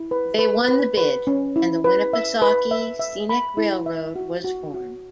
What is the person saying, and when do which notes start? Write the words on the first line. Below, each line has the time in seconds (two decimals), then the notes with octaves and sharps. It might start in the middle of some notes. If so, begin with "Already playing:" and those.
They won the bid, and the Winnipesaukee Scenic Railroad was formed.
Already playing: E4
0.11 B4
0.39 B4
0.69 B4
0.97 B4
1.27 C#4
1.56 E4
1.84 B4
2.13 E5
2.42 B4
2.71 E5
3.00 E5
3.29 B5
3.57 E4
3.86 E5
4.16 F#4
4.45 F#4
4.74 F#4